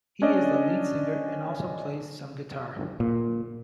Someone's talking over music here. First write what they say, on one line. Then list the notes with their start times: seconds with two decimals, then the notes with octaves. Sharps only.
He is the lead singer and also plays some guitar.
0.22 C#4 D4 D5 D#5
3.00 A#2